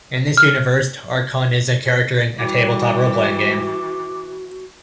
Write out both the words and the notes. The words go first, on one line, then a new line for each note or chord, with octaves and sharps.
In this universe, Arkon is a character in a tabletop roleplaying game.
F6
E3 G3 F#4 G5 D6